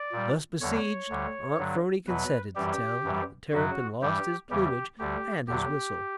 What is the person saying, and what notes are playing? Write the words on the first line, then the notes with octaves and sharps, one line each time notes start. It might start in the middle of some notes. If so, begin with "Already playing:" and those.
Thus besieged, Aunt 'Phrony consented to tell how the Terrapin lost his plumage and his whistle.
Already playing: D5
A#2 G3
E2 D3 G3 C#5
D2 D3 G3
G2 D3 F#3
E2 B2 F#3 B4
F#2 E3 G3 G4
F#2 E3 G3
F#2 C#3 F#3 F#4
G2 E3 G3 G4
E2 C#3 E3 G3 G4
D2 D3 G3 G4
E2 D3 F#3 G4